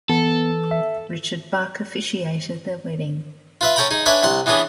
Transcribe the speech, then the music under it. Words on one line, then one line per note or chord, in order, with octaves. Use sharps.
Richard Buck officiated their wedding.
E3 B3 A4
E5
F4 B4 E5
C#4 A4 C#5 G5 A#5 B5
D#4 G#4
D4 B4 C#5 E5 G#5
C2 F#5 C6
E3 B3 C#4 D4 G#4